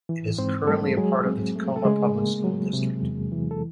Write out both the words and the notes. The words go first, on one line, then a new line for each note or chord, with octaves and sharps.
It is currently a part of the Tacoma Public School District.
E3
G#2 C4 C5
G3 A3 A4
F#3 G#3 G#4
C4
A3
A4
C#3 G#3 G#4
A#3
F#3
C3
E2
E3
A4